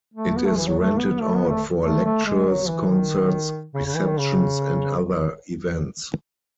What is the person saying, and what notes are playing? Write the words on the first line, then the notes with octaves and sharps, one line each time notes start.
It is rented out for lectures, concerts, receptions and other events.
A3
B3
A3
E3
F#3
A3
B3
A3
B3
A3
A3
A3
G#3
F#3
E3
D#3
C#3
C#3
E3
D#3
C#3